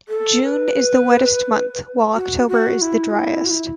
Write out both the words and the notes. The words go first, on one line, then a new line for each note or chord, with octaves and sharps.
June is the wettest month while October is the driest.
A4
B4
F#4
F#4
E4
F#4
E4
F#4
E4